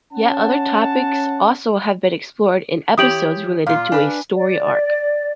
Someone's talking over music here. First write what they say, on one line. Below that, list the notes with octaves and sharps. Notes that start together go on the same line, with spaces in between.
Yet other topics also have been explored in episodes related to a story arc.
C#4 F#5 A5
E3 G4 C#5 D#6 D7 F#7
A#2 F4 F5 F6
D4 B4 G#5
D5